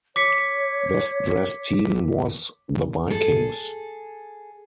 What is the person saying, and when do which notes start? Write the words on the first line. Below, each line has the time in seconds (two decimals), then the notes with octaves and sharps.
Best dressed team was "The Vikings"!
0.16 C#5 D6 B6 C#7
3.10 G#4 A4